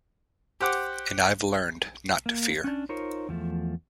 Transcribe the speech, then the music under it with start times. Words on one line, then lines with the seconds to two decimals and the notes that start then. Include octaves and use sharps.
And I have learned not to fear.
0.61 G4 C5 F#5 D6
2.26 A#3
2.64 C#4 D4
2.89 D#4 F4 A#4 C5 C#5
3.29 E2 F3 A3